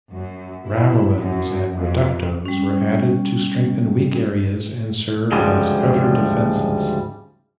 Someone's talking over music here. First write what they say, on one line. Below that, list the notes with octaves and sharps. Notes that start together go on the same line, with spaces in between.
Ravelins and "reductos" were added to strengthen weak areas and serve as outer defenses.
F#2
E4
F#2
F2
G3 C#4
D2 G#2 C#3 F3 G3 G#3